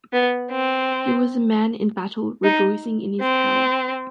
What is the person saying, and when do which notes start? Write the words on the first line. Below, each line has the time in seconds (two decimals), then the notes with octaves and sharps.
He was a man in battle rejoicing in his power.
0.13 B3
0.51 C4
2.44 D#4
3.21 C4